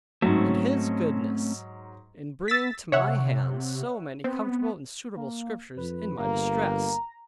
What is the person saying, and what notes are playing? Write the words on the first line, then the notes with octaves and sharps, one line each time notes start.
And His goodness in bringing to my hand so many comfortable and suitable scriptures in my distress.
G#2 F#3 A3 C4 C#4
E6 A6 B6
C3 C#5 E5 F#5
B3 C4
A#3
F2 B4
G1 A#3 A#5